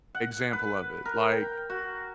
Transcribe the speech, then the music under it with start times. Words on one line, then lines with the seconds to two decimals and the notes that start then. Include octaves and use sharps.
example of it. Like,
0.15 F#5
0.53 B4
1.05 A#4
1.31 G5
1.70 F#4